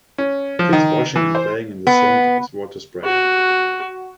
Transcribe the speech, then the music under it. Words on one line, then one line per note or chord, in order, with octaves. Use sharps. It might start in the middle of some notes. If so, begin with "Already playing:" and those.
Kids washing and playing in the sink with water sprayer.
C#4
F3
D#3
E3
C5
B3
F#4